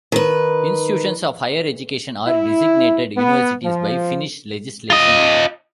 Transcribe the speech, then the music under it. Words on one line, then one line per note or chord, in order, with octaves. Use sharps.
Institutions of higher education are designated universities by Finnish legislation.
D#3 B4
E4
B3
F3
F4 D#5